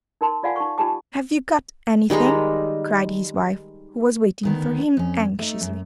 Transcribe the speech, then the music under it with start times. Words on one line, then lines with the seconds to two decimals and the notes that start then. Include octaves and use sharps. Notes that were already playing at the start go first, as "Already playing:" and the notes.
'Have you got anything?' cried his wife, who was waiting for him anxiously.
0.21 D#4 A#4 A5 C6
0.43 F4 D5 F5 F#5 G#5
0.56 D#4 C#6
0.78 D#4 F4 G4 G#5 A5 D6
2.10 D#3 G3 G#3 A#5
4.43 D2 D#3 B3
4.97 F2 C#4
5.39 A3 D#4
5.61 F#2